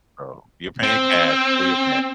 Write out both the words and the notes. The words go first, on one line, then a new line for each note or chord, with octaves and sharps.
So, you're paying cash for your pet.
C4